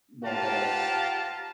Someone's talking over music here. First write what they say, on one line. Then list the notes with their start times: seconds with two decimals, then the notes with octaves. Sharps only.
won't get like
0.24 F4 G4 F5 F#5 A5 A#5